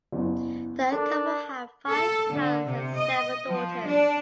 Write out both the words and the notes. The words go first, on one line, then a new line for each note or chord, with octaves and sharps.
The couple had five sons and seven daughters.
F#1 E2
D4 A4 A#4
A4
D3
C3
D#5
F3
D4